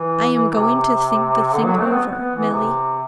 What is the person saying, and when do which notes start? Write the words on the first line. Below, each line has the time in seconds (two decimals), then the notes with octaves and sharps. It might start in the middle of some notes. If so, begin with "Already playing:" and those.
I am going to think the thing over, Milly.
Already playing: E3
0.55 C3
1.54 D3
1.65 F#3
1.78 A3
1.85 C4
1.91 B3
2.18 B3
2.36 E3
2.52 C3